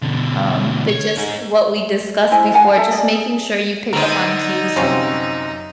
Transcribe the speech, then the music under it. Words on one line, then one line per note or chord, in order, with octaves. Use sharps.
um, but just what we discussed before, just making sure you pick up on cues of
B2 D3
C#5
D#4 G#4
E4 C5 D#5 G#5
F5 F#5 G#5 A5
A4 E5 A5
D5 D#5 G#5
G#4
D3 B3 D#4 A#4 C5
F#2 C3 F3 C4 C#4